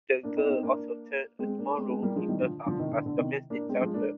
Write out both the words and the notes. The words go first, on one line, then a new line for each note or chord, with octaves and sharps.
The girl also turned a small room in her house as a domestic chapel.
A#3 D4
C4 D#4
C4 D#4
A#3 D4
G#3 C4
A#3 D4
G#3 C4
G#3 C4
G3 A#3
F3 G#3
D#3 G3
D3 F3
D3 F3
C3 D#3
D3
D3
C3 D#3
A#3 D4
G#3 C4
F3 G#3
A#3 D4